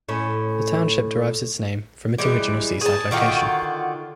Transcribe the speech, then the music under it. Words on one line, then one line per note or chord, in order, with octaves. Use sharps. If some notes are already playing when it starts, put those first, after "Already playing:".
The township derives its name from its original seaside location.
A2 C#4
E3 G3 G#3
G#4 A5
D3 D#3 F4 F#4